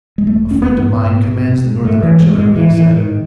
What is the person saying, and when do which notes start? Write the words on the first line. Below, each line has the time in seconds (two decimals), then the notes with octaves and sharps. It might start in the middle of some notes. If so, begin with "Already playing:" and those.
"A friend of mine commands the Northern artillery," he said.
0.18 G#3
0.27 E1 A3
0.51 D#2 C#4
0.62 B3
0.79 G#2
1.06 G#2
1.33 B2
1.58 B2
1.85 G#2 A3
2.03 E3
2.12 G#2
2.20 G#3
2.38 A2 G#3
2.56 E3
2.64 A2
2.73 E3
2.90 G#2 D#3